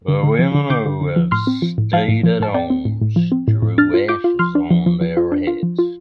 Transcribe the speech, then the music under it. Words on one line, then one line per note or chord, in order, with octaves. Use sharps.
The women who have stayed at home strew ashes on their heads.
D3
D3
F3
D3
D3 D6 G6
D3
D3
F3
A2 C6 F6
C4
F3
A2
F3 F5 A5
A2
F3
A2 A5
C4 D5 G5
C4
A2
A2
F3
C4
A2
A2
D4 F6 A6
F4
F4 D6 G6
F4
F3 C6 F6
D4
F3
F3
F3
F4
D4
F4
F3
F4